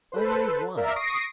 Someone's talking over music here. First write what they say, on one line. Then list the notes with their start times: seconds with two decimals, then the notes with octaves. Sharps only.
Only one!
0.12 A4 B4 C5
0.77 A#4 D5 E5 F5
0.96 C#6 D#6 A#6 C7 D7